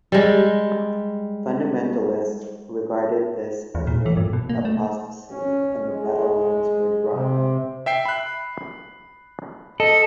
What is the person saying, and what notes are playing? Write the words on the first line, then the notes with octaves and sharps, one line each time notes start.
Fundamentalists regarded this as rank apostasy, and the battle-lines were drawn.
G3 G#3
E2
A#2
E3
G2
B2
A#3
A3
C#4
G#3
C3
E5 G5 C7
B5 F#6
A4 D#5